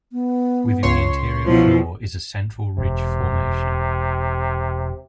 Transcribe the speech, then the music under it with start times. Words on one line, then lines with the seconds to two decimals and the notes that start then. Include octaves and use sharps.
Within the interior floor is a central ridge formation.
0.12 B3
0.83 C#2 C#5 C6
1.47 B2 F3 F#3 E4
2.78 E1 C3